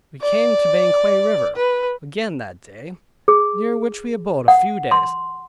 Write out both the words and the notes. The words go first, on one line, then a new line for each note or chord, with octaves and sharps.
We came to Banquang river again that day, near which we abode a few days.
D5
B4
G#4
F#5
C6